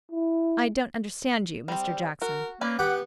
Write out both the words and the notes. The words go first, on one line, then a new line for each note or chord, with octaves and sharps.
'I don't understand you, Mr Jackson.'
E4
G3 C4
F#4 A#4
A#3 C#4 B4 D5
B3 G4 F#5 G5 D6